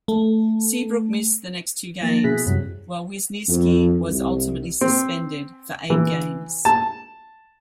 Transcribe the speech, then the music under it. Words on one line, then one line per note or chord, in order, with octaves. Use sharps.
Seabrook missed the next two games, while Wisniewski was ultimately suspended for eight games.
A3
F3 A#3 A6 A#6
B2 E4 G#4 F#6 B6
F#2 C3 F#3 G3
F2
C2
C4
E3
A5